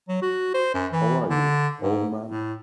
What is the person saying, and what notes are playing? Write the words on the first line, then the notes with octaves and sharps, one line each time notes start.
How are you, old man?
F#3
F#4
C5
F#2
E3
D3
G#2
A2